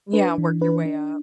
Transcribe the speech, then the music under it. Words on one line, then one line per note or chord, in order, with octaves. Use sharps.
Yeah, work your way up.
D4 B4
E3
D4 B4
D4